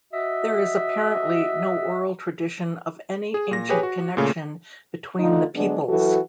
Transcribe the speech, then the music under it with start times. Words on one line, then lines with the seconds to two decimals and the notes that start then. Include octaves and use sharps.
There is apparently no oral tradition of any ancient connection between the peoples.
0.13 F#4 D#5 E5
3.34 G#4
3.51 A#2 A#6
3.69 G4 G#4 B4 C#5 G#5
3.83 F#4
4.17 A#2 C#3 A3
5.19 D3 A3 D#4 F4
5.55 D3 F#3 G#3 B3 D4
5.89 E3 F#3 F#4 A4